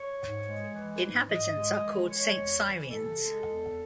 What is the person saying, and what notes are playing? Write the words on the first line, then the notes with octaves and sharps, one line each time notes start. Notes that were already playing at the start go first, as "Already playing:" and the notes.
Inhabitants are called "Saint-Cyriens".
Already playing: C#5
G#2
G#3
E3
G#2
G#2 D#5
G#3
E3
G#3 C#5
E2
E3
C3 A4
G#3
E2